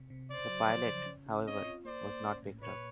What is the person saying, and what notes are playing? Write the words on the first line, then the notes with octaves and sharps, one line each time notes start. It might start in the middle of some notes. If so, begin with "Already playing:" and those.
The pilot, however, was not picked up.
Already playing: C3
C3
C#3 C5 D5
F#3
F3
C#3
C#4
C#4
C4 C#5 D#5
F4
A#3 C5 D5
A#3
C#4
A2
A#2 B4 C#5